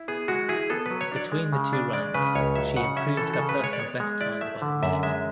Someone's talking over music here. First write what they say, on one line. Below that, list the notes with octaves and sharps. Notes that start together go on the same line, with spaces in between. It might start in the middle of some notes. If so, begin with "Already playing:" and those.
Between the two runs, she improved her personal best time by a minute.
Already playing: E4
B3 G#4
G#3 F#4
E4 G#4
B3 A4
F#3 B4
C#5
D4 D5
G#3
C#3
D4
G#3 D5
C#3 B4
C#2 C#5
F#3 E5
C#3 F#5
C#4 E5
E3 A4
A4
C#3
B4
G#3 C#5
D5
B3 C#5
G#3
E4 D5
A3 E5
D3
F#2 E5
G#3 E5